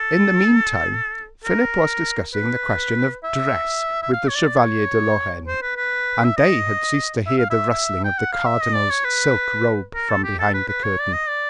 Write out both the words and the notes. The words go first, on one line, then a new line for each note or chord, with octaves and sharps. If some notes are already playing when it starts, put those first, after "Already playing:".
In the meantime Philip was discussing the questions of dress with the Chevalier de Lorraine, and they had ceased to hear the rustling of the cardinal's silk robe from behind the curtain.
Already playing: A4
A#4
B4
E5
E5
F5
C#5
D5
C#5
C5
B4
B4
E5
D#5
E5
F5
E5
E5
G5
F#5
F5
E5
D#5
D5
C#5
B4
A#4
A4
G4
A4
B4
B4
C#5
D5
D#5
D5